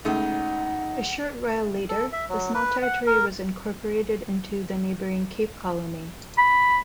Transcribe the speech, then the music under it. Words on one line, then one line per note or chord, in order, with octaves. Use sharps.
A short while later, the small territory was incorporated into the neighbouring Cape Colony.
C#2 A3 D#4 F#5
A4
E5
F#3
B4
F#5
A#4
B5